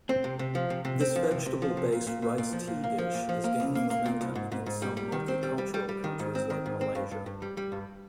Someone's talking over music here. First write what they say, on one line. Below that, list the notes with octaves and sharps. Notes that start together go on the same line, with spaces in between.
This vegetable-based rice tea dish is gaining momentum in some multicultural countries like Malaysia.
C4
C3
C3
F3
C3
C3
C4
F3
C3
C3
F3
C3
A#2
A#2
A#2
A#2
F3
A#2
A#3
F3
A#2
F3
A#3
C2
A#3
A#3
A#2
C2
G#2
G#2
G#2
G3
G3
D#3
C4
G3
G3
G3
G3
D#3
G#2
C4
D#3
G#2
C4
G2
G2
G2
G3
G3
G2